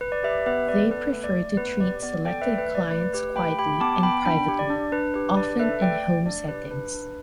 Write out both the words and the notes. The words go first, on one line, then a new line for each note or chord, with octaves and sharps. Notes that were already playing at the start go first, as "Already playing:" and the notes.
They prefer to treat selected clients quietly and privately, often in home settings.
B4
D5
G4 B4 E5
B3 B4 E5
B3 D5
A4 B4
A3
D5
A3
B3 B4
G4 D5
B3 D5
A4 D5 G5
B4 E5
A3
B4
A3 D5
A3 B4
G4 B4
A3 G5 B5
G4 G5 B5
B3 A5 D6
B3 G5 B5
D4 G5 B5
G4
D5
D4
D4 B4
G4 B4
D4 D5
A4 B4 E5
A3 D5 G5
A3
D4 D5
G4 B4
D4 B4
D4